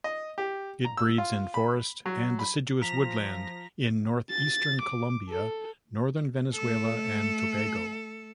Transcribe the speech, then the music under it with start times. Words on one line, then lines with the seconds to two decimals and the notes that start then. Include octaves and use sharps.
It breeds in forest and deciduous woodland in northeastern Colombia, northern Venezuela and Tobago.
0.04 D#5
0.38 G4
0.85 A#5
0.97 E6
1.18 F4
1.54 B5
2.06 F#3
2.39 B5
2.82 F3 A#5 A#6 B6 F7
4.30 A6
4.81 D6
5.29 A4
6.54 A3 A4